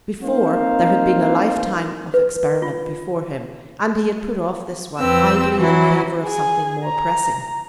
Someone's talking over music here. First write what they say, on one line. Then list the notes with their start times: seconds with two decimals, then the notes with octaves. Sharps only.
Before there had been a lifetime of experiment before him, and he had put off this one idly in favour of something more pressing.
0.22 A#3 C4 D#4 C5 F5
2.14 B4
2.62 F4
4.99 F2 C4 B4 E6
5.56 E3 F#3 E4
6.24 G#4 G#5
6.84 A#5